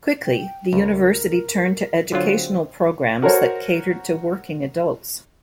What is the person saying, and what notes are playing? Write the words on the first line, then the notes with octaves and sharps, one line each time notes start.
Quickly, the university turned to educational programs that catered to working adults.
G5
C#2 A#4
D3 F#3 C4 F4
F#4 A#4 C5 C#5